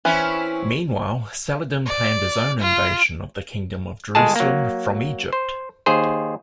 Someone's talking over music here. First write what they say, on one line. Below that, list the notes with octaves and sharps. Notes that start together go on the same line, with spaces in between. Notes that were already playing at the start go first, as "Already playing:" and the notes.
Meanwhile, Saladin planned his own invasion of the Kingdom of Jerusalem from Egypt.
E3 C4 C#4 E4
D5
F4
G1 G#3 G#4 A5
F#3 A#3
C5
D#2 G#4 C5